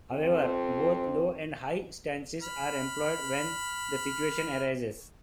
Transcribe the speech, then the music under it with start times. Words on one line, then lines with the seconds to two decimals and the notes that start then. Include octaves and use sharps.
However, both low and high stances are employed when the situation arises.
0.11 F2 C4
2.42 B5 F6